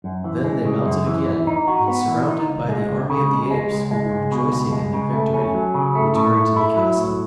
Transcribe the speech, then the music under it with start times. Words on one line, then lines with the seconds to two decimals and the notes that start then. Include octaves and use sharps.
Then they mounted again and, surrounded by the army of the apes who were rejoicing in their victory, returned to the castle.
0.04 F#2
0.25 E3
0.44 G#3
0.65 C#3
0.86 F#2
1.06 E3
1.26 E3
1.47 D#4
1.68 F#4
1.88 B3
2.08 E3
2.28 D#4
2.48 C#2
2.69 G#3
2.89 C#2
3.10 C#3
3.30 C#2
3.51 G#3
3.71 C#2
3.91 G#3
4.12 C#2
4.32 B2
4.52 C#2
4.72 G#3
4.94 C#3
5.13 A3
5.34 C#4
5.54 F#3
5.74 C#3
5.95 A3
6.15 A2
6.35 A3
6.56 E4
6.76 F#3
6.97 A2